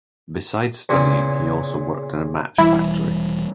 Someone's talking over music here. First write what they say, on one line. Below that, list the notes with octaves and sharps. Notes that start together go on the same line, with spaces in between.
Besides studying, he also worked in a match factory.
E2 A#2 C#3
E1 E3 G3 E4